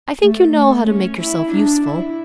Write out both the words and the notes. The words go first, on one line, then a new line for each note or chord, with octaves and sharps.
I think you know how to make yourself useful.
A3
A3
C#4
E4
D4
E4